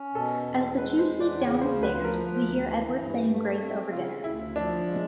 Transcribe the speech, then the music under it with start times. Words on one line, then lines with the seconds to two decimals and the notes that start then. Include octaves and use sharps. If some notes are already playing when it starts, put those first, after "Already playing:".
As the two sneak down the stairs, we hear Edward saying grace over dinner.
Already playing: C#4
0.14 B2 A4
0.47 E2
0.78 G#3 B4
0.99 C5
1.09 E2
1.20 D5
1.40 C#3 C#5
1.61 C5
1.72 D2
1.83 B4
2.03 F3 A#4
2.36 D2
2.67 E3
2.98 G2
3.30 A3
3.62 C4
3.92 C#3 F4
4.24 D2 E4
4.56 F3 D4
4.87 G#3